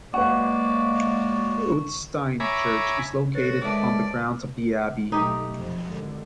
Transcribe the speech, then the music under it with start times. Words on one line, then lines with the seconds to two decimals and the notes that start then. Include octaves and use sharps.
Utstein Church is located on the grounds of the abbey.
0.14 F#3 G#3 A#3 B4 D5 F#5 C#6
2.40 C#5 E5 G#5 A#5 B5 D6
3.35 F#4 A4 B4 C#5 A6
3.61 D#3 G#3 A3 D5
5.12 B1 A3 D#4 G4
5.54 F2 C3
5.85 G#1 D3